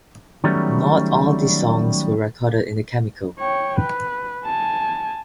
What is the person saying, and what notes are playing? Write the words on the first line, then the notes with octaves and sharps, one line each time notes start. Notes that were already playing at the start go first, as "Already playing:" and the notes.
Not all the songs were recorded in Chemical.
D#3 F#3 G3 A3 B3 C#4
C#5 G5
B4
G#5 A5